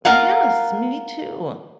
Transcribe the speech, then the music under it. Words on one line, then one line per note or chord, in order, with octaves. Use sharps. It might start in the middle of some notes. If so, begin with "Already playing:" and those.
Ah, yes, me too.
F4 A#4 F5 F#5